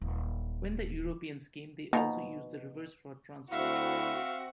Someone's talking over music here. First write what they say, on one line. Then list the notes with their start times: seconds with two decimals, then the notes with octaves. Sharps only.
When the Europeans came they also used the rivers for transport.
0.01 D#1 F#3
1.93 B2 D#3 F3 A#3 A#5
3.52 D2 C4 E4 F#4 E5 F5